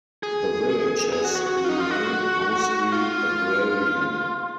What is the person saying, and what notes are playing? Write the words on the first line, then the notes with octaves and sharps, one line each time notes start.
The village has remained mostly agrarian.
G#4
G#4
F#4
F#4
F#4
F#4
F4
D#4
F4
F#4
F4